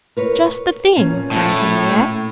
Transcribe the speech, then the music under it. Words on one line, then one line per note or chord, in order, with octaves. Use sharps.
"Just the thing!" cried Henriette.
A#4 B4 C#5
A#2 C#4
A2